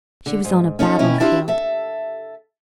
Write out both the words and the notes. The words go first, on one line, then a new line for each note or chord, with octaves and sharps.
She was on a battlefield.
D3
G#2
C#4 D#4 A4 C5 C#5
D#2 B2 C#4 E4 D#5 G5
D4 E4 F4 G4 F5
A4 E5